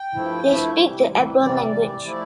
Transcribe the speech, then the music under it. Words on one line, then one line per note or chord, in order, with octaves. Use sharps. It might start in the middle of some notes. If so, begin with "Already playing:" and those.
They speak the Abron language.
Already playing: G5
G2 F3 A3 E4
G2 F3 A3 E4 E5
C3 E3 G3
C3 E3 G3
C3 E3 G3 D5
D5
C3 E3 G3 D5
F3 A3 E4